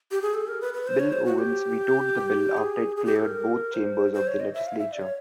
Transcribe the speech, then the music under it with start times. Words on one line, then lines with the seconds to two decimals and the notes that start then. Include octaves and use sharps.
Bill Owens vetoed the bill after it cleared both chambers of the legislature.
0.11 G4
0.22 G#4
0.34 A4
0.48 A#4
0.61 B4
0.74 B4
0.87 C5
1.00 C#5
1.12 C5
1.26 F#4
1.39 G4
2.57 G#4
2.96 G#4
3.05 G4
3.16 A4
3.25 A#4
3.74 C5
4.14 C5
4.27 C#5
4.40 D#5
4.54 E5
4.67 F5
4.79 E5
4.93 D5
5.01 C#5